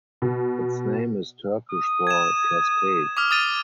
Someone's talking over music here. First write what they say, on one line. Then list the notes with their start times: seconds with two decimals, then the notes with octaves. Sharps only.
Its name is Turkish for "cascade".
0.22 B2
1.70 D#6
2.07 G#6 E7
3.17 D6 D#6 F6
3.31 D#6 A6 D#7